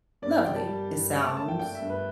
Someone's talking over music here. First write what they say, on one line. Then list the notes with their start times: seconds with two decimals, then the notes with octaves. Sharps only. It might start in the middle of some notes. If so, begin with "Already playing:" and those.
lovely, it sounds
0.22 G2 D5
0.45 G3 G5
0.56 A5
0.67 G3
0.91 G2
1.14 A3
1.25 A5
1.37 A3 A5
1.48 G5
1.59 D4 G5
1.75 E5
1.82 G2
1.90 B4